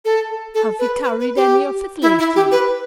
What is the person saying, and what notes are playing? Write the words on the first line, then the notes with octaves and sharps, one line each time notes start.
"Have you carried any of It lately?"
A4
A4
B4
B4
B4
G4
E4
E4
G4
B4